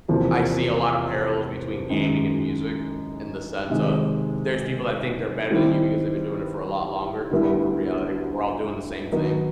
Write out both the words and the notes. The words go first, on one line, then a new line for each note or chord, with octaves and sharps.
I see a lotta parallels between gaming and music, in the sense of, there's people that think they're better than you because they've been doing it for a lot longer, when we're reality, we're all doing the same thing,
E2 C3 F3 A#3
F#2 D#3 G#3
C3 D#3 G#3
D#3 G3 C4 E4 G4
D2 D3 G3 B3 E4
D#3 F#3 B3 D#4